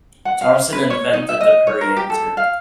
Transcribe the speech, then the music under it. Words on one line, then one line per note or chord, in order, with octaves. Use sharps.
Thompson invented the permeameter.
F#5
F5
B4
C#5
D#4
E5
D#5
C#5
A#4
G4
A4
F5